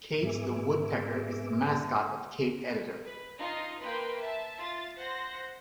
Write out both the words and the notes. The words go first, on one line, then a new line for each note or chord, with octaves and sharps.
Kate the woodpecker is the mascot of Kate editor.
G#2 B3 G#4 E5 D6
B4
D#4 F4 D#5
A#3 B4 G5 C6
E5 A5
F4 A6
C5 F#5 A#6